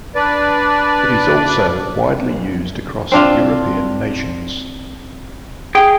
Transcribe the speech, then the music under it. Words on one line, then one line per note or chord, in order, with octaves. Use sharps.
It is also widely used across European nations.
D4 B4 D5
C4 D4 F4
G#4 G5